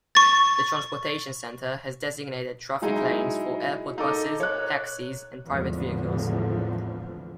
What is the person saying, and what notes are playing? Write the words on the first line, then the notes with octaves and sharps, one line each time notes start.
The transportation centre has designated traffic lanes for airport buses, taxis and private vehicles.
C#6 A6
F#3 G#3 D#4 E4 G#4
D#4 A4 D6
C#5 F#6
G#1 E2 A2 D3 F3